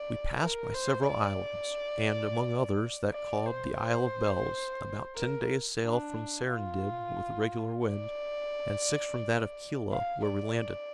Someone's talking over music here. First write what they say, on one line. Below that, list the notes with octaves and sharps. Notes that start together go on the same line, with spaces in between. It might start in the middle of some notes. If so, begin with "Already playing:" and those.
We passed by several islands, and, among others, that called the Isle of Bells, about ten days' sail from Serendib with a regular wind, and six from that of Kela, where we landed.
Already playing: D5
A#4
C5
D5
D5
C5
C5
A#4
D4
F4
D5
F5
D5